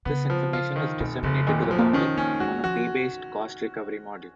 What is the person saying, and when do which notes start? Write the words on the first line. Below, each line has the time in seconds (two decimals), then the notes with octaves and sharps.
This information is disseminated to the public on a fee-based cost-recovery model.
0.05 C#3 B3
0.30 F3
0.53 F4
0.76 D#3
1.00 F1 B2
1.23 F1 C#3
1.47 A#2 D#3
1.62 F#3
1.71 F3
1.78 A#3
1.93 D#3 C#4
2.17 A#3 C#4
2.40 G#3 F#4
2.64 F3 F#4